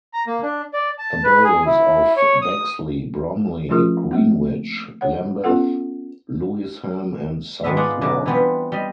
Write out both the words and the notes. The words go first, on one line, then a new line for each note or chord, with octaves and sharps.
The boroughs of Bexley, Bromley, Greenwich, Lambeth, Lewisham and Southwark.
A#5
A#3
D4
D5
A5
B4
G#4
E4
C#5
D#6
F3 A3 C#4 F4 G#4 A#4
A3 A#3 C4
C#5 F#5
B3 C#4 F4 A4 F#5
G#2 D#3 A3 B3 E5
F4 G#4 D5 F5 F#5
F#2 B2 D3 D4 A#4 A5
E3 G3 B3 C4 F4
G3 D#5